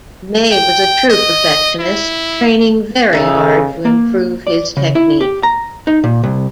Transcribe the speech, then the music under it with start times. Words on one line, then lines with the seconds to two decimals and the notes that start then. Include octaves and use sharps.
Mey was a true perfectionist, training very hard to improve his technique.
0.52 G5
1.10 D#5
1.80 E4
3.13 C#3 A3 D#4 A4
3.85 A#3
4.47 D5
4.77 C#3
4.95 E4
5.21 G4
5.43 A#5
5.87 D#4
6.04 A#2
6.23 C2